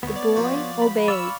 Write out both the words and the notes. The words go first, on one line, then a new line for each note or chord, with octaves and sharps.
The boy obeyed.
D2 B3 C#5
D5
F3 F#4
B5
D5 F5 C#6 E6